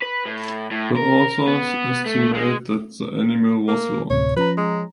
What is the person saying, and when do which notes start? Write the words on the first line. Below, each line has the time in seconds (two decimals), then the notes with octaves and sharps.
The authors estimate that the animal was long.
0.02 B4
0.26 A2
0.71 A2
0.97 A#4
1.47 B3
2.05 A3
2.34 G#3
3.68 A#3
4.10 D2 A2 C3 C#5
4.37 F3 C#4 B4 A#5
4.58 G#3